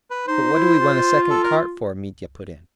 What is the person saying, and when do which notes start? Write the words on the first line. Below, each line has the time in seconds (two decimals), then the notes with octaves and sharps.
"But what do we want a second cart for?" Mitya put in.
0.10 B4
0.27 D#4 C5
0.53 E4
0.79 F4
1.30 A4
1.43 A#4